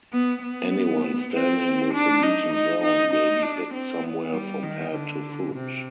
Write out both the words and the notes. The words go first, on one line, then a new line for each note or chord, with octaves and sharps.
Anyone standing within the beaten zone will be hit somewhere from head to foot.
B3
B3
C4
D4
D#4
D#4
D#4
D#4
D4
C4
B3
G3
D#3
D3
C3